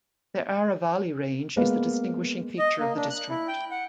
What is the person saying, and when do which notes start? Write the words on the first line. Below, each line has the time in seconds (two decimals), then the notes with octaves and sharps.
The Aravalli Range is the distinguishing feature of the district.
1.56 G#3 A#3 B3 B4 F5
2.59 D#5
2.79 A#3
2.96 D4
3.10 F#6
3.30 E4
3.48 G5
3.71 F#5